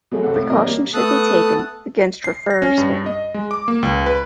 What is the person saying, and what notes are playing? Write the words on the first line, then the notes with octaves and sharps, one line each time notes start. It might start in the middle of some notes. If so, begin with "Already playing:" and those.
Precautions should be taken against referrer spam.
B2 F#3 G#3 A3
C2 C4 A4 F#5
A2 C3
F#3 A#3 D4 A#4 D#5
G3 A#3
A3 B3 A4 A5 D#6 F#6
C7
A#6
C#4
G2
D#5
G#3
D6
A#3
C#2
B4